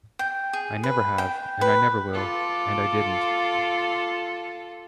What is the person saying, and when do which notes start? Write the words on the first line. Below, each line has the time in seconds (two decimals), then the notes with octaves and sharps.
I never have, and I never will, and I didn't.
0.19 G5
0.53 G#4
0.83 B4
1.18 G5
1.61 B4
2.13 F4 A4 D6